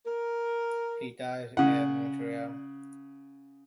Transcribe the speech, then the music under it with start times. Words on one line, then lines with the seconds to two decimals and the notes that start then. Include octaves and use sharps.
He died at Montreal.
0.06 A#4
1.57 C#3 F#5